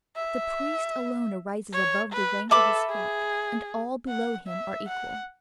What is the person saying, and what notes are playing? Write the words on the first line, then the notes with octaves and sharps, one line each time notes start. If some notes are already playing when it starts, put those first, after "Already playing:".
The priest alone rises above the rank of his flock, and all below him are equal.
E5
C#5
B4
A4 B4 E5 B5 D6
G#4
F#5
E5
F#5